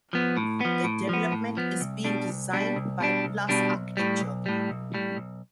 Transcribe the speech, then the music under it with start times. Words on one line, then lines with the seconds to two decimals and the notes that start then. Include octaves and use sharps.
The development is being designed by Plus Architecture.
0.13 F3 B3
0.37 A2
0.61 F3 B3
0.84 A2
1.09 F3 B3
1.32 A2
1.57 F3 B3
1.81 C2
2.05 B2 G3 D4
2.29 C2
2.53 B2 G3 D4
2.76 C2
3.00 B2 G3 D4
3.25 C2
3.49 B2 G3 D4
3.73 B1
3.97 A2 G3
4.21 B1
4.46 A2 G3
4.70 B1
4.94 A2 G3
5.17 B1